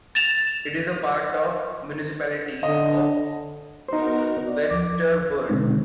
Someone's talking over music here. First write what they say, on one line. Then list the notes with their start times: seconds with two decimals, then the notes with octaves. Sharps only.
It is a part of the municipality of Westerveld.
0.15 A6 E7 F7
2.63 D3 D#5
3.88 B3 D#4 F#4 A#4 C5
4.47 D5
4.71 D2 F3 D6
5.49 B2 D3 D#3 G#3 C4 D#4